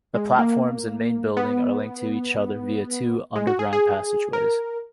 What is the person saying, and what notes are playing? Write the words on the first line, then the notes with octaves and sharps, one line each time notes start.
The platforms and main building are linked to each other via two underground passageways.
G#3
A#3
B3
G#3
F#4
G#4
G#4
A#4